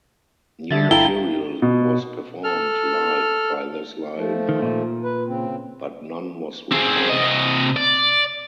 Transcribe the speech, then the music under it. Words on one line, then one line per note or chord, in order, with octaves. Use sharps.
New material was performed live by this line-up, but none was recorded.
D3 D4 E5 A6
G1 E4 A4 F5 G5 A#5 G7
B2
A4 F6
F3 A3
D#3
A#2
B4
C#3 C4
C4 G#4
C3 D#5
D5